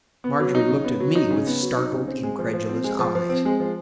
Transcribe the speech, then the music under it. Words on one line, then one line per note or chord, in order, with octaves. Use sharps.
Margery looked at me with startled, incredulous eyes.
B3
F#3
D#4
C#3
B3
F#3
D#4
C#3
B3
F#3
D#4
C#3
C4
G#3
F3
F3
C4
G#3
F3
F3
C4
G#3
F3